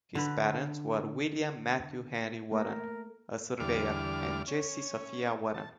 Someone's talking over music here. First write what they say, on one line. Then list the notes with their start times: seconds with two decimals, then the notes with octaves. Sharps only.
His parents were William Matthew Henry Warren, a surveyor, and Jessie Sophia Warren.
0.15 D3 B4
2.51 A3 A#3 A#4
3.60 E2 D3 G3 D6 F6
4.48 C#4
5.54 A5